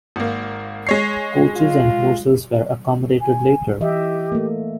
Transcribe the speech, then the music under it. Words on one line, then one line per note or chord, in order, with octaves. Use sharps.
Coaches and horses were accommodated later.
G#1 A#3
G#3 C#5 C7
F4
G#5
E3 G4 D#5 E5
A3 A#3